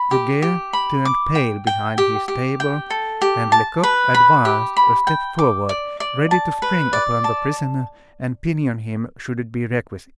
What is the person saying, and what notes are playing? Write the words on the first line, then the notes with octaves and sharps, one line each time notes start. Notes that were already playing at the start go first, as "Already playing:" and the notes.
Goguet turned pale behind his table, and Lecoq advanced a step forward, ready to spring upon the prisoner and pinion him should it be requisite.
Already playing: B5
G4
G4
B5
D6
G5
G5
G4
G4
G5
A4
G4
A5
B4
B5
G4
B5
G5
D6
D5
D5
A5
B4
D5
A5